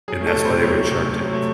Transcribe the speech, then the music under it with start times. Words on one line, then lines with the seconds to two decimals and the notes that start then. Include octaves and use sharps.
and that's why they were in Shark Tank,
0.08 F#3 G#4
0.21 A3
0.27 A4
0.35 C3
0.45 C3 C5
0.63 F#3 C#5
0.78 A3
0.91 C3
1.06 C3
1.19 F#3
1.33 A3